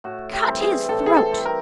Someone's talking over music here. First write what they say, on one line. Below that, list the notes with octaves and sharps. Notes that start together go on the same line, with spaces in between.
"Cut his throat."
A2 F#4
G4
E3 G3 C4
G#4
A2 A4
G#4
A4
E3 G3 C4
A#4